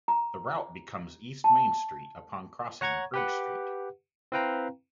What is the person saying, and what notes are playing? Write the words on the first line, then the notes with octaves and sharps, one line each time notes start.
The route becomes East Main Street upon crossing Bridge Street.
A#5
A5
C#5 F#5 A#5 C#6 G#6
G4 B4 F#5
C4 E4 B4 F5 G5 A#5